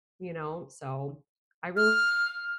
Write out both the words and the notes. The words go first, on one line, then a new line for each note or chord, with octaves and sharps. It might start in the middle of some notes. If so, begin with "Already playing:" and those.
you know, so I really
F6